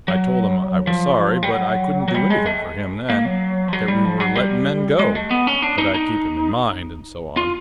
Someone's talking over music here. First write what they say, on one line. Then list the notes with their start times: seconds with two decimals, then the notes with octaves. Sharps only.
I told him I was sorry, but I couldn't do anything for him then; that we were letting men go, but I'd keep him in mind, and so on.
0.08 F#3
0.87 F3
1.43 G3
1.51 F#3
2.08 F#3
2.14 G3
2.30 G#3
2.46 A3
3.10 A#3
3.25 F#3
3.68 F3
3.73 F#3
3.88 G3
4.05 F3
4.20 F#3
4.35 G3
4.99 G#3
5.15 A3
5.31 B3
5.47 C#4
5.62 D4
5.78 D#4
5.94 D#4
7.37 F4